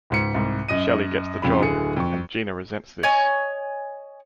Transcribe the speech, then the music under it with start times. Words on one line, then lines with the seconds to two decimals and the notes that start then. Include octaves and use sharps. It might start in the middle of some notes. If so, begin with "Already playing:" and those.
Shelley gets the job and Geena resents this.
0.10 C#2 G#2 C#7
0.34 C2 G#2
0.68 F#2 D#5 D#7
1.42 F2 C#3 B5
1.61 D1 D3 G#4 C#7
1.97 F2 C#6
3.03 C#5 D#5 G#5